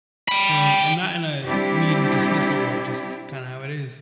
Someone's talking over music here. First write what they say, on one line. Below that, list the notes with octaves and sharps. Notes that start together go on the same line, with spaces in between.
And and not in a mean, dismissive way, just kinda how it is.
G5 B5
G3 C4 D4 E4 G4